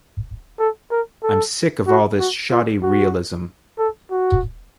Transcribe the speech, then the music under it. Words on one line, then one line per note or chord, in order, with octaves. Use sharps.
I'm sick of all this shoddy realism.
A4
A#4
A4
F#4
F#4
F4
F#4
A4
F#4